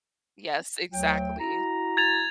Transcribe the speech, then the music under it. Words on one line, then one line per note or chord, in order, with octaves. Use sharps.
Yes, exactly.
D2 F#3 G5
E4 F#4 A#5
G#6 A6 F7